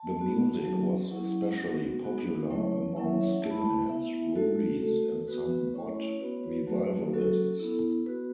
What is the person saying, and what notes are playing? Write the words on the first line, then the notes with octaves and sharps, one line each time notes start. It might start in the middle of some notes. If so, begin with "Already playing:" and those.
The music was especially popular among skinheads, rudies and some mod revivalists.
Already playing: A5
B3 F#4
F#3 C#4 F#4
F#3 C#4 E4 F#5
B3 F#4
B3 F#4
F#3 A3 C#4 E4 C#5
F#3 C#4 E4 F#5
E5
C#5
E5
A3 E4 A5
B5
A5
B3 E4 E5
A3 F#4 A4
A3 F#4 A4
B3 F#4 B4
A3 C#4 E4 C#5
B3 F#4 B4
C#5
B4
F#3 A3 F#4
B4
F#3 C#4 F#4 A4
B3 E4
B3 F#4 B4